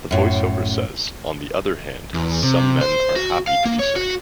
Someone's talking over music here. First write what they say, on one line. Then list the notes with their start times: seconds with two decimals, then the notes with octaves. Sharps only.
The voiceover says: On the other hand, some men are happy to be sick.
0.11 F#2 A2
2.14 E2
2.43 C3
2.81 C5
3.16 F#4
3.47 F5
3.65 A#3
3.79 C#5
3.96 F#4